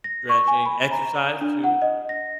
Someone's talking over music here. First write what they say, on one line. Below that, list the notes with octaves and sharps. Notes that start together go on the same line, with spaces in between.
Stretching, exercise too, if
A#6
C#6
G#5
B5
A#5
D4
F#5
D#5
A#6